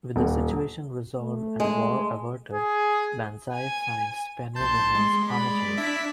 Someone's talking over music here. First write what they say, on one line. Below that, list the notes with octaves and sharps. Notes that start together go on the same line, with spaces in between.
With the situation resolved and war averted, Banzai finds Penny remains comatose.
D#1
A3
G#3
G#4
G#5
A#1 A5 C6 G6
G#3
D5 B5
D4 E4 E5 B6